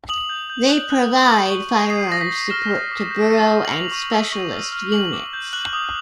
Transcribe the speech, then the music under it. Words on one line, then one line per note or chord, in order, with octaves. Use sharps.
They provide firearms support to borough and specialist units.
D#6 F#7
G6
G6
F#6 F#7
F#6
F#6
C#6
C#6
C#6
D#6 C7
D#6 A#6
B6
G6
F6 E7
F6
D6
G6
C#6
E6
F#7
E6 F7
C#6
E6
C#6
F6
F6
D6 F#7
D6
G6
F#6 F#7
D#6